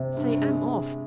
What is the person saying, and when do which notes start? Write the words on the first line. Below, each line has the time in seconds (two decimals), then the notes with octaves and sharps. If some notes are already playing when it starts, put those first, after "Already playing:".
Say, I'm off!
Already playing: C3
0.17 G2
0.42 G#3